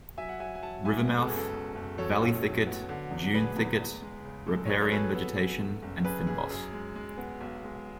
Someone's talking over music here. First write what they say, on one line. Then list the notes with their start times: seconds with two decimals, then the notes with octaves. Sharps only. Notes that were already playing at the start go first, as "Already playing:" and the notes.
River mouth: Valley thicket, dune thicket, riparian vegetation and fynbos.
0.18 F#3 E5 G#5
0.29 F#5
0.40 F#3 E5 G#5
0.55 G#5
0.62 F#3 F#5 A5
0.85 G#2 E5 G#5
1.08 B2 B4
1.17 A4
1.27 F#1 G#4
1.37 A4
1.53 B2
1.75 F#1
1.98 F#3 A4 C#5
2.21 A1
2.44 F#3
2.66 B3
2.89 D3
3.11 E2
3.34 E2 G#4 B4
3.57 E2
3.79 E2
4.02 G#3
4.24 C#3
4.47 G#3 A4
4.65 C#5
4.69 F#2 G#4 B4
4.81 A4 C#5
4.92 F#3 G#4 B4
5.03 A4
5.15 B3 A4
5.37 B3
5.59 F#1
5.82 F#1
6.05 F#1 G#4 B4
6.27 F#1 G#4
6.50 F#2 G#4
6.73 G#3
6.95 G#3
7.18 B3
7.40 B1
7.63 G#3